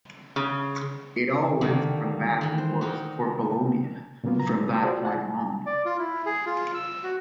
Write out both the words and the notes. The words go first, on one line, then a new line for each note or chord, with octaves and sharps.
It all went from bad to worse for Polonia from that point on.
C#3
D3 D#3 G3 A3 A#3
D#3 E3
C5
A#2 D#3 D#4 F#4
A#2 C#3 F#3 A#3 B3 F4
A#5
F4 F#4 G#4 C5 D5
F4 D5 F#5 G#5 A5
D5
F4
E4
G#4
F4
E6
F#4